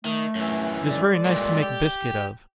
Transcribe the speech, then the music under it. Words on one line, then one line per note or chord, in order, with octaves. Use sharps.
It is very nice to make biscuit of.
D#3 A3
F#2 E3
G#3 A4 D5
G2 A#2
G4